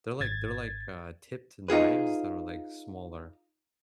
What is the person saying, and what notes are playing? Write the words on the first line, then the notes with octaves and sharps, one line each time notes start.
they're, like they're, like, uh, tipped knives that are, like, smaller.
G#1 G#6 A6
D#4 F4 G#4 B4